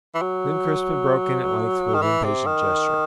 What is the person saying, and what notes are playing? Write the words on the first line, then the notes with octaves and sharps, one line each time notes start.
Then Crispin broke in at length with an impatient gesture.
E3
F#3
D#3
E3
C3
D#3